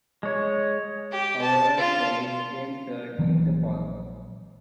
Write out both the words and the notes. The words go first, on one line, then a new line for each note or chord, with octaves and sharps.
However Craig came third in the poll.
G#3 C#5
G4
A5
F4
A#1 E3 F#3 A#3